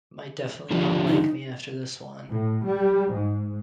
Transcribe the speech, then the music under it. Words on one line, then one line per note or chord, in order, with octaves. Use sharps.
Might definitely not like me after this one.
D3 F3 G3
D#4
A2
G3
G#2